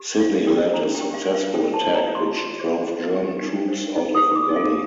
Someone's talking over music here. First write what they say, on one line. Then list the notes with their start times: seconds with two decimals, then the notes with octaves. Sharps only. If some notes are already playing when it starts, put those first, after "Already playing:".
Sidney led a successful attack which drove German troops out of a gully.
Already playing: G4
0.20 D4 F5
0.47 A#4 G5
0.74 D4 A#5
0.95 G5
1.01 G4
1.14 F5
1.27 D4
1.34 F5
1.54 C5 G5
1.74 A5
1.81 C5
1.94 A#5
2.07 F4
2.15 C6
2.34 F4
2.61 C5
2.88 C5
3.15 G4
3.41 D#4
3.68 C5
3.95 D#4
4.15 D#6
4.22 G4
4.35 D6
4.49 D#4
4.56 F5